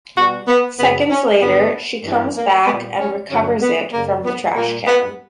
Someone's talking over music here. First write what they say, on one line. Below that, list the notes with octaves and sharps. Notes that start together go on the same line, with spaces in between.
Seconds later she comes back and recovers it from the trash can.
B2 G3 F#4
B3
F#2 C#3 F#3 B3
C#4
G2 D3 G3 B3
G2 E3 G3
A#3
A#2 G3 B3
C#4
G2 D3 F#3 C#4
B3
F#2 C#3 G3 A#3
B3
A#2 G3 A#3
B3